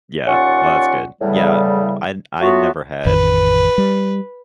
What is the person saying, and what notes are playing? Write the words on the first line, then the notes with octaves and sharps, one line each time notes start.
Yeah. Well, that's good. Yeah, m I I never had
D#2 C#4 F4 D5 F#5 C#6
E2 A2 C#3 G3
F#3 A3 B3 F4 F#4
A1 F2 D#3 B4
G3